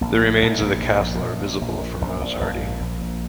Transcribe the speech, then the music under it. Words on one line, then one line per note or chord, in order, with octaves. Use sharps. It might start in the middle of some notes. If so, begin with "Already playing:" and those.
The remains of the Castle are visible from Rosehearty.
A#1 A#3
A#2
A#1
A#1
A#1
A#1
A#1
A#2
A#1
A#2
A#1
A#1
A#1
A#2
A#1
A#1